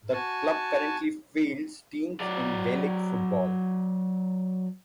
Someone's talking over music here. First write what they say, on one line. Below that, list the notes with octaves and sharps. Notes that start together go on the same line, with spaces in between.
The club currently fields teams in Gaelic football.
F#4 G#5 A5
F#3 D5